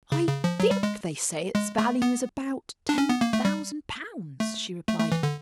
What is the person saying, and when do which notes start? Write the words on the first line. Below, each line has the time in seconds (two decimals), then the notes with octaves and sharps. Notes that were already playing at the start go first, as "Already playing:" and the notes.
"I think they say its value is about--ten thousand pounds," she replied.
0.12 C#3
0.28 C#3
0.44 F3
0.60 F#3
0.71 G3
0.83 G#3
1.55 G#3
1.78 A3
2.02 B3
2.89 D4
2.98 C#4
3.09 B3
3.21 A#3
3.33 A3
3.45 G3
4.40 A3
4.87 A3
5.00 A3
5.12 E3
5.23 D3